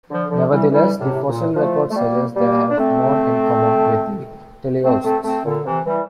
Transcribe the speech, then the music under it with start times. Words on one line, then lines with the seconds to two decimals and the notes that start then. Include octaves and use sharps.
Nevertheless, the fossil record suggests they have more in common with the teleosts.
0.11 D3 F3
0.31 D3 F3
0.51 E3 G3
0.72 E3 G3
1.00 A2 C3
1.28 A#2
1.54 F3 A3
1.91 A3
1.96 G3 A#3
2.36 G3 A#3
2.71 D4
2.78 A3 C4
4.83 A3 C4
5.04 A3 C4
5.24 A3 C4
5.45 A#2 D3
5.66 C3 E3
5.86 E3 G3